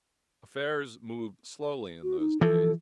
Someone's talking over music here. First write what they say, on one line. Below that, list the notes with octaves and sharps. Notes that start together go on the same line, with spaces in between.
Affairs moved slowly in those days.
F#4
D#4
E3 F3 A4